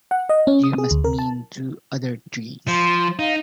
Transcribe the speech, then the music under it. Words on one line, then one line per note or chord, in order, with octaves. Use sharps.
You must mean two other trees.
F#5
D#5
C#4
D#6
G#4
D2
A#4
A5
F3 C6
D#4 F5